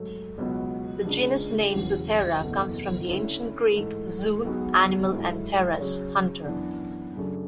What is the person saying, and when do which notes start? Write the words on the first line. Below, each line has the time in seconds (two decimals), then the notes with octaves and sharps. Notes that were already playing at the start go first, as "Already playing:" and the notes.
The genus name "Zoothera" comes from the Ancient Greek "zoon", "animal" and "theras", "hunter".
Already playing: G#2 F#3 A3
0.38 C#2 B2 F#3 B3 F#4
1.06 C#2 C#3 G#3 D4
1.73 E1 E2 C#3 F#3
2.41 F#1 E2 B2 A3
3.09 D3 A3 C#4 E4
3.76 G#2 E3 A3
4.45 B1 B2 G#3 B3 F#4
5.12 G#2 F#3 A3 E4
5.80 C#3 F#3 C#4 G#4 C#5
6.47 F#2 E3 B3 D4
7.16 F#2 C#3 F#3 A3 D4